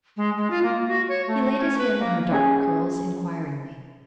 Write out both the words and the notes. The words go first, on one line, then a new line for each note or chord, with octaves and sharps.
He laid his hand on her dark curls inquiringly.
G#3
G#3
F4
A#3
F#4
C#5
A3
C#4
B4
A#3
C#4 G#4